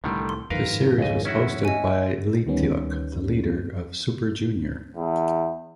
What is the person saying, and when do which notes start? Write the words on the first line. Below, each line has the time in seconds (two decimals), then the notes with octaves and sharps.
The series was hosted by Leeteuk, the leader of Super Junior.
0.04 C2 A2 D3 D#3 G3
0.29 C6
0.50 F2 G#2 D#3 A#4 B4 F5
0.98 C#2 D#5
1.25 C#4 E4 F#4
1.65 D#5 G#5
2.46 D2 D#3 G3 B3 C#4
4.96 E2